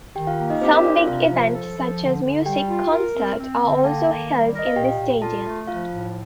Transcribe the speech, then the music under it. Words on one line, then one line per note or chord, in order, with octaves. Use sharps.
Some big event such as music concert are also held in this stadium.
D#3 G4 G5
F4 F5
A#3
D#4 D#5
C4 G4 C5
A#4
C4 D4 D5
F4 F5
C3 F4 F5
F3
A4
F3
D3
D3
G3 G4 G5
F4
A#4
C4
C4
D3
G5
A#3 A4 A5
D#3
G3
D5
A#4
D#5
F5
A#2 G4 G5
A#2
F4 A4 A5
A3
F3 F4 F5
A2